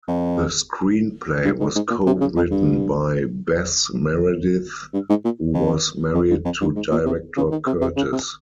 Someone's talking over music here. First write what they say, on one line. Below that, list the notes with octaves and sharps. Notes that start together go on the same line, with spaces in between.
The screenplay was co-written by Bess Meredyth, who was married to director Curtiz.
F2
G2
G#2
G#2
A#2
C3
C#3
F2
G2
G2
G#2
A#2
F2
F2
G2
F2
G2
G#2
A#2
C3
C#3
D#3
C3
C3
C#3
C3